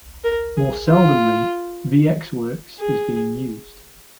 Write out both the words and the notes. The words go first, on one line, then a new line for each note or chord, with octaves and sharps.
More seldomly, VxWorks is being used.
A#4
G#4
F4
G#4